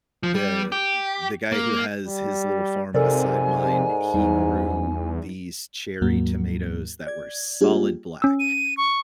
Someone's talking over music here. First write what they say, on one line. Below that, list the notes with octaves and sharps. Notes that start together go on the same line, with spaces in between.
The the guy who has his little farm beside mine, he grew these cherry tomatoes that were solid black.
F3
G3
G4
A#3
G3
G#2 C3 A4 A#4 D5 G#5
E2 G3 D#4
D#2 G#2 F#3 A#3
D5 G#6
G3 A#3 D4 F4 G4 G#4
C#4 E6
D#7
C#6